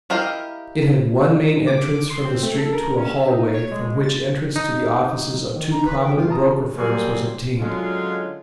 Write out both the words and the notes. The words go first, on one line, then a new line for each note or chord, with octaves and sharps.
It had one main entrance from the street to a hallway, from which entrance to the offices of two prominent broker firms was obtained.
E4 G4 A#4 D#5 F5
D6
C6
C4
A3
A4
A#4
C#4
E5
D#4
C#5
G#3
A6
D#4
D#3
A#5
B4
G5
E3 F4
A5 A#5 D#6
A#2 F#3 G3 A#3 C4 G#4
D3 F#3 G#3 C#4 F4